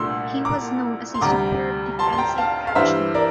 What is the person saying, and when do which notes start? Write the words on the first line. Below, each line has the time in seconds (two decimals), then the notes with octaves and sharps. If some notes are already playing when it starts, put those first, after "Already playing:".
He was known as a superb defensive catcher.
Already playing: C2 A#2 A3 D4 C6 E6
0.45 A#5 D6
1.14 C6
1.21 D2 C3 G3 A#5 D6
1.99 A5 C6
2.13 C6
2.18 G5 A#5
2.38 F5 A5
2.67 F5
2.75 G2 E3 G3 C5 E5
3.14 A#4 D5